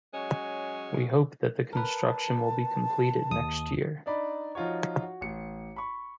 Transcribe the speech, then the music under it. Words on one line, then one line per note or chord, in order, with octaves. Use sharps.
We hope that the construction will be completed next year.
F#3 G#3 C#4
A#4 B4 A5
D#2 D#6
D4 D#4 D5 B5
F3 D#4 F4 F#4 C#5
F#4
A1 C#7
B5 C#6